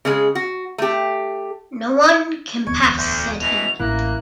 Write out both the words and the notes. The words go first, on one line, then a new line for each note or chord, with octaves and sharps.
"No one can pass," said he.
C#3 G#3 G#4
F#4
A3 G4
D1 E2 B3 C#6 G#6
D2 G6
F#2 B2 E3 F7
A1 A2 A#3 C#4 E4 F#6